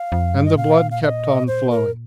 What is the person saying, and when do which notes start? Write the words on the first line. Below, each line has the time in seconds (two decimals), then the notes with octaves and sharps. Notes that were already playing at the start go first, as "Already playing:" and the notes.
And the blood kept on flowing.
Already playing: F5
0.12 F2
0.35 G2
0.45 D#5
0.56 A#2 F5
0.91 F5
1.02 F5
1.06 D#5
1.47 C5
1.70 A#4